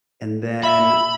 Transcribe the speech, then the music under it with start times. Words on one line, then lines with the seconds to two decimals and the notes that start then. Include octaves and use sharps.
And then,
0.64 E5 B5